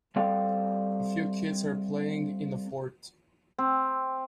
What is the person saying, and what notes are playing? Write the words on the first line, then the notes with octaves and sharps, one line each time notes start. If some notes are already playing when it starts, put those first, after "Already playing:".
A few kids are playing in a fort.
G3 C4 A4 D5 F5 G5
C4